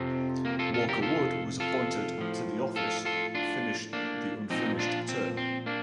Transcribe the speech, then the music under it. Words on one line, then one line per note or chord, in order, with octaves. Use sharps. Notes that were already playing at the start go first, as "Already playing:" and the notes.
Walker Wood was appointed to the office finish the unfinished term.
Already playing: F2 C3 F3 C4
A#3
F4 A4
F4 A4
G4 A#4
F4 A4
F4 A4
A2 F3
F4 A4
F4 A4
D4 F4
A#3 D4
A#2 F3 C4 D#4
D4 F4
C4
C4
A#3 D4